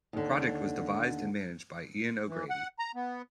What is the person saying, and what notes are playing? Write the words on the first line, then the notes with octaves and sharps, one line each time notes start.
The project was devised and managed by Ian O'Grady.
D#2 D3
E3
F#5
A#5
B3